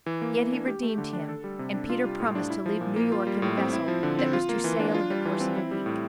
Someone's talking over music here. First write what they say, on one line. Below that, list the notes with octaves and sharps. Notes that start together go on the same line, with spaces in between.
Yet he redeemed him, and Peter promised to leave New York in a vessel that was to sail in the course of a week.
E3
A#3
E3
D4
G4
A3
D3
D4
A4
G3
C3
D4
F4
G3
A2
D4
E4
F3
A#2
A#3
F4
G3
A2
C4
E4
F3
D3
C4
F4
A#3
E3
D4
F4
G3
E3
C4
E4
G3
A2